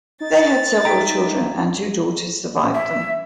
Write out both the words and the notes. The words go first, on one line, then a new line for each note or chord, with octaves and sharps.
They had several children, and two daughters survived them.
D#4 A6
E5 G5 A#5
E5